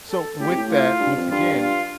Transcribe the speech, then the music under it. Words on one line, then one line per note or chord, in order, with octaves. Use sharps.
so with that, once again,
A4
A2 G4
C3
A2
F4
G2
F2
G2 F4
F4